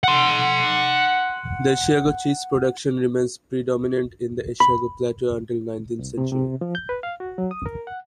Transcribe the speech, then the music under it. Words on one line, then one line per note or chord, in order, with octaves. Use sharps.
The Asiago cheese production remains predominant in the Asiago Plateau until the nineteenth century.
F#5 C6
B5
C2
C3
C3
F3
G6
B4
F5
F#4
F#3
D#6
A#4
F#5